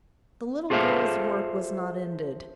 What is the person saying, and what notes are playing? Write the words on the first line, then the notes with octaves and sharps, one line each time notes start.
The little girl's work was not ended.
F4 G#4 A4 C5 E5 F5